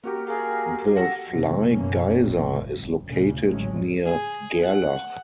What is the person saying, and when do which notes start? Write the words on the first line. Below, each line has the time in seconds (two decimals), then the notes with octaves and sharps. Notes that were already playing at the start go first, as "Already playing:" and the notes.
The Fly Geyser is located near Gerlach.
0.04 A#3 C#4 F#4 G4 A#4
0.27 F4 G#4 A#4 F5
0.96 A4 F#5 A5 F6 A#6
1.32 F2 C3 D#3 A3
1.70 F#1 F#2 B2 E3 A#3 C#4
2.20 F1 A#1 F2 A2
2.57 G1
3.06 D2 A#2 C#3
3.46 A1 D2 A2 F#3 G#3 C#4
4.05 G#4
4.61 F#5